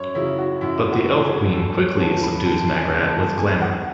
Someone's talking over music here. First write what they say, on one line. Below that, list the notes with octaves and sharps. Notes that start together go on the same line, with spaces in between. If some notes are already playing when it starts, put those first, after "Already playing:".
But the Elf Queen quickly subdues Magrat with glamour.
Already playing: F#2 C#5
C#3 F#3 C#4 E4
F#4
F#2 E4
F#4
C#3 F#3 C#4
G#4
D#2 A4
C#5
C#3 E3 G#3 B3 A5
B5
D#2 A5
G#5
C#3 E3 G#3 B3
A5
E2 G#5
F#5